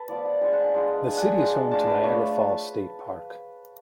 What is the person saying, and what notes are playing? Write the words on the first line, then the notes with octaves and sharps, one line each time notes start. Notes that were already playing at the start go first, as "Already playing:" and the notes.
The city is home to the Niagara Falls State Park.
Already playing: A4 B4
F3 B3 F4 D5
F#5
G#3 D4 F4 G#5
F#5
G#5
G#3 D4 F4
G#3 D4 F4 G#5
F#5
G#5
G#3 D4 F4 A5
G#5
A3 D4 F4 A5
B4
A3 D4 F4 C#5